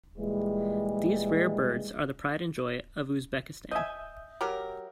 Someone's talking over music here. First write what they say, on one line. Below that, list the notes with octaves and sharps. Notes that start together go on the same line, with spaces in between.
These rare birds are the pride and joy of Uzbekistan.
A#2 E3 G3 G#3
D#5 E5 G#5 D#6 G6
F#3 G4 A#4